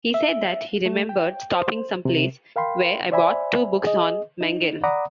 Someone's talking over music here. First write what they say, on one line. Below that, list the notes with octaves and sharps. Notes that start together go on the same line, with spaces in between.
He said that he remembered stopping someplace where I bought two books on Mengele.
E5
A3
G5
C5
C3
A#4 F5 G5 B5 C6
C5 D5 E5 G#5 B5
G#4 D#5
D#4
D5 F#5 A#5 B5 D6 D#6